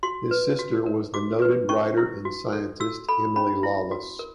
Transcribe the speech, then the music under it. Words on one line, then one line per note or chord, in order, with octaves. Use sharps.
His sister was the noted writer and scientist Emily Lawless.
F#4 C6
B4
F#4
A#4
F#4 D6
B4
C#4 C#6
E4
F#4
A4
F#4 E6
A4 B5
C#4 B5
E4
F#4
A#4